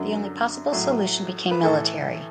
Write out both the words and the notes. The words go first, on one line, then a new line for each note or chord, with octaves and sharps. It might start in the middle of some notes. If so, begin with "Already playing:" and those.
The only possible solution became military.
Already playing: F#2 D3 F#3
A2 F#3
B4
A2 E3 A4